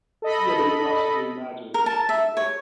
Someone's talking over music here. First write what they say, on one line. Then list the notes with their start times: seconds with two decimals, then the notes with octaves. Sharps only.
Yeah, but he can also do magic, which is pretty cool.
0.22 A4 D#5 B5
1.74 A#4
1.86 A5
2.09 E5
2.37 C#5